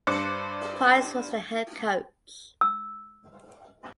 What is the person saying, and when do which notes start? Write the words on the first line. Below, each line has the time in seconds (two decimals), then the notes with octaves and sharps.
Price was the head coach.
0.07 G2 D4 C5 D6 F#6 C#7
2.61 E6